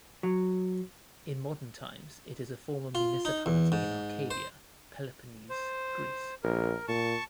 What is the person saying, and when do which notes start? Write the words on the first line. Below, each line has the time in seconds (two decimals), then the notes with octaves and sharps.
In modern times it is a former municipality in Arcadia, Peloponnese, Greece.
0.23 F#3
2.95 F4
3.25 D#4
3.46 E2
3.72 G#2
4.31 C5
5.50 C5
6.44 A#1 A#4
6.88 A#2 A5 C#6